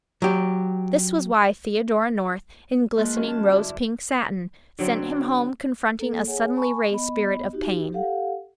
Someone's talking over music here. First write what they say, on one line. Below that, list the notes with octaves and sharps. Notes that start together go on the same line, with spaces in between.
This was why Theodora North, in glistening rose-pink satin, sent him home confronting a suddenly-raised spirit of pain.
F#3 G4
F3 G#3 A#3 A4 B4
D#3 F#3 C#4 F4
A5
G2 D3 F#3 E4 D6
D3 F#3 C4 D5
A#3 A4
G#4 C#5 F#5 G#5
G#5 A5 B5 C#6
B3 D#5 B5
D#4 F#4 G4
G4 A4 F5 F#5